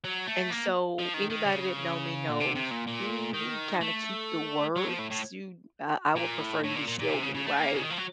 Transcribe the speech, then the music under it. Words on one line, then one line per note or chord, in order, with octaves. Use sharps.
And so, anybody that know me knows, mm, you can kinda keep the words, you uh, I would prefer you to show me, right,
F#3
A3
A#3
F3
D#3
D#3
C#3
A#2
C3
C3
A#2
A#2
D#3
A3
F#3
F3
A2
A2
A#2
A2
A2
A#2
A#2
A#2
C3
C#3
C#3
A3
A#3
C#3
D#3
F3
F#3